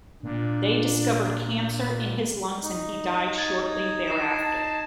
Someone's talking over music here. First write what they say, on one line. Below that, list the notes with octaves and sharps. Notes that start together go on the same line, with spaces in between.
They discovered cancer in his lungs and he died shortly thereafter.
A#2 D4
D#4
G#6 A6
A#6 C7 E7
A5